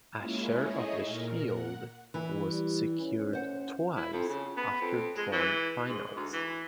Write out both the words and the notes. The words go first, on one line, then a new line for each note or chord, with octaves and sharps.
A share of the shield was secured twice after drawn finals.
G#3 A#3 C#4 E4 F4
A3 D#4 E4 G#4 C#5 D#5
A#2 A#4
F#5
E3
G3
C#4
C5 F#5
E4
F2
C#3
B3
F2
G#3
E3
G#2
D2
E3